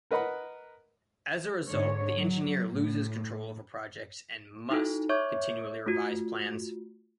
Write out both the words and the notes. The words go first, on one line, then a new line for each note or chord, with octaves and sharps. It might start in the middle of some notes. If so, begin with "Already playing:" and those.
As a result, the engineer loses control over projects and must continually revise plans.
A#4 B4 D#5 F#5 B5
G#2 D3 C#5
F#3
A2
D#4 E4 F#4 A4
C#5 E5 C#6 D6 G6 G#6
A3 F4 F#4